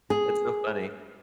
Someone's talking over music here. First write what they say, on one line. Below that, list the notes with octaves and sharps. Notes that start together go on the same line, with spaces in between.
That's so funny.
G#4